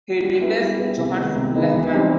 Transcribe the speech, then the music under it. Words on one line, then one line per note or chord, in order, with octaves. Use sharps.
He replaced Johannes Lehman.
G3
B3 E4 G#4 B4
G3
B3 E4 G#4 B4
C3
D#3 G#3 B3 D#4
C3
D#3 G#3 B3 D#4
E3
G3 C4 D#4